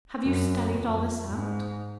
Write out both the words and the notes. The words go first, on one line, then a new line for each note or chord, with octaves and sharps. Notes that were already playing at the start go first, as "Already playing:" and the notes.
"Have you studied all this out?"
F#2
F2
G#2